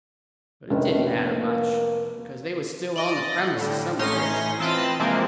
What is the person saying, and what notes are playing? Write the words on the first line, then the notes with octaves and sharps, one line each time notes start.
But it didn't matter much, because they was still on the premises somewheres.
F1 A2 D#3 C#4 D4
A#3
D5 D#5
A2 D3 G3
A1 A2 C#4 D#4 C6 A#6
E3 C4 F4 D#5 A5 B5
C3 E3 F3 G#3 A#3 C4